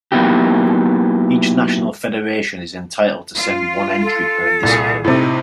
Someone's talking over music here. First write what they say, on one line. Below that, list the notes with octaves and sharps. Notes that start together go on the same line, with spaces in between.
Each national federation is entitled to send one entry per discipline.
F#3 A#3 B3 D#4 E4 G4
F4
A4
C2 A#2 G#4
A2 C3 D#4